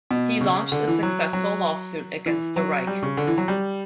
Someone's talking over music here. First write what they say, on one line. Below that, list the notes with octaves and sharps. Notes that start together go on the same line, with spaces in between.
He launched a successful lawsuit against the Reich.
B2
C#3
D3
E3
F#3
F#3
E3
F#3
G3
C#3
D3
E3
F#3
G3